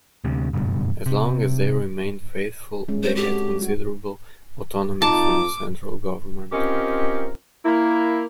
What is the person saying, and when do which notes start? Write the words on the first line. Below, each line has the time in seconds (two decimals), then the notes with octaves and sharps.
As long as they remained faithful, they had considerable autonomy from the central government.
0.24 D2 C3
0.53 F#1 G2 B2
1.06 C3
2.88 G#3 A#3 C#4
3.03 C4 C5 C#5
3.16 G#3 F#4 G4 A4
3.59 G3 F#4
5.02 F2 D#4 F4 A5 D6
6.52 C4 C#4 F4 G4 A#4 D#5
7.65 A#3 E4